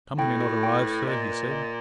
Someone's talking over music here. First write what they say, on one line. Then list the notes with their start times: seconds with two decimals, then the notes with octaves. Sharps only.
"Company not arrived, sir," he said.
0.18 A2 G5
0.40 F#4
0.63 G5
0.85 B4
1.07 A#2 D#5
1.30 B4
1.51 D#5